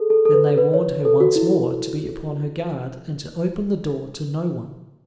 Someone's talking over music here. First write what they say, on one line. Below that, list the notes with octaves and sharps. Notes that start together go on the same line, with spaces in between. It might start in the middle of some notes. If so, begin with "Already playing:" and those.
Then they warned her once more to be upon her guard and to open the door to no one.
Already playing: G#4 A4
A4
A4
B4
B4
C#5
A4
F#4
E4